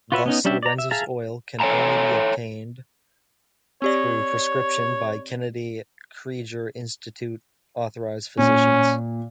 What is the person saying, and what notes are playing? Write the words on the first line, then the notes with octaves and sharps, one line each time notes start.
Thus, Lorenzo's oil can be obtained only through prescription by Kennedy Krieger Institute-authorized physicians.
F4 F#4 B4 C#5 E5
B3 C#4 D#4
G3 C#4 D4 G4 E5
D5 A#5
E5
G#4 E5 F5 A5 A#5
A4 C#5 G5 G#5 A#5
C4 G4 C#5 D5
A#2 C#4